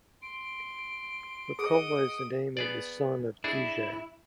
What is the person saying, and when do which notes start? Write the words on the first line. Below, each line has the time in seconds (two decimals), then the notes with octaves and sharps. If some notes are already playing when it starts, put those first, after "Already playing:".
Rokola is a name of the son of Degei.
0.22 C6 D7
1.59 G#4 D#5 F#5 D#6
2.57 B3 G#4 D5
3.44 D4 E4 G#4